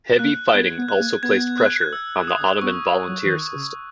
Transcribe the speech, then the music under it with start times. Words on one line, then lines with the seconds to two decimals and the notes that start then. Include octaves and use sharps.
Heavy fighting also placed pressure on the Ottoman volunteer system.
0.19 A#3 F#6
0.54 B3 G#6
0.78 B3
0.89 F#6
1.00 A#3
1.23 B3 G#6
1.58 F#6
1.93 E6
2.28 D#6
2.61 B3 C#6
3.08 F#3
3.25 E3
3.31 D#3
3.55 C#3